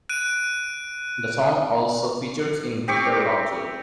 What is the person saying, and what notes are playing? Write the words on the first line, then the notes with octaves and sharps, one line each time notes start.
The song also features in Guitar Rock Tour.
F#6 D7 D#7
C4 G4 C#6